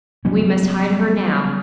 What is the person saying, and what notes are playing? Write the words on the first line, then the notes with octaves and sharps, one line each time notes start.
We must hide her now.
F#3 G3 B3 C#4